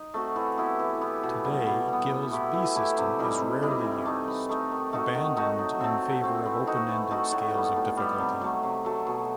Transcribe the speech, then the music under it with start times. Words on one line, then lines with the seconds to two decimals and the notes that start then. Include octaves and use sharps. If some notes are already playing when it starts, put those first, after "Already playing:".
Today, Gill's B-system is rarely used, abandoned in favor of open-ended scales of difficulty.
Already playing: D#4
0.14 A3 C4 F#4
0.36 E3
0.58 B3 E4 G4
0.79 E3
1.01 B3 E4 G4
1.23 B2
1.45 G3 B3
1.66 B2
1.88 G3 B3
2.10 E3
2.32 A3 E4 G4
2.53 E3
2.75 A3 E4 G4
2.97 C3
3.19 E3 G3 D#4
3.40 C3
3.63 E3 G3 D#4
3.84 E3
4.06 A3 D#4
4.28 E3
4.49 A3 D#4
4.71 D#3
4.93 A3 D#4 F#4
5.15 D#3
5.37 A3 D#4 F#4
5.59 F#3
5.80 A3 C4
6.02 F#3
6.24 A3 C4
6.46 E3
6.67 A3 D#4 F#4
6.89 E3
7.11 A3 D#4 F#4
7.32 A2
7.54 G3 B3
7.76 A2
7.97 G3 B3
8.19 C3
8.41 F#3 A3
8.63 C3
8.85 F#3 A3
9.07 B2